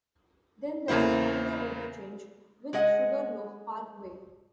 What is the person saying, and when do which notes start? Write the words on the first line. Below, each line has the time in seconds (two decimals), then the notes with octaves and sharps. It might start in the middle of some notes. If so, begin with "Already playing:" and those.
Then there is another interchange with Sugarloaf Parkway.
0.88 E2 C#3 A#3 E4 C5
2.73 G#3 G#4 D#5 F#5